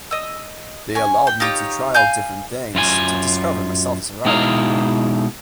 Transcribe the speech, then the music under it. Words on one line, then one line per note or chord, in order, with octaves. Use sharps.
They allowed me to try out different things, to discover myself as a writer.
D#5 E6
C#4 G#5
G5
D#4 F4 G4 C#5
F5 G#5 G6
F#2 F4 G4 G#5
B2 G#3 D#4 E4 F5